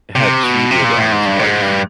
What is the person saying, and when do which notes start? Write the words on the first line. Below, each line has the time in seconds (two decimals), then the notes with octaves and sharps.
had cheated on his wife.
0.16 C3
0.43 B2
0.71 C3
0.84 A#2
0.98 A2
1.12 G#2
1.25 G2
1.39 A2
1.44 G#2
1.62 G2